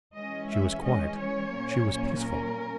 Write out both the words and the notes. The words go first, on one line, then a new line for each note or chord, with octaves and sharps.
She was quiet, she was peaceful.
E3 G#3 C#4 D#5
E5
D#5
C#5
A#2 F#3 A#3 C#4
A#4